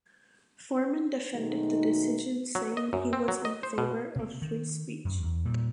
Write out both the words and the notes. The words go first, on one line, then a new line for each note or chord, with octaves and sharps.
Forman defended the decision saying he was in favour of free speech.
B2 D#3 F#3 G#3 A3 D#4
F#3
D#5
F#2
C4
F#3
D#5
C5
B2
C3 A#3
D#3
F#2
E2
A#2 G3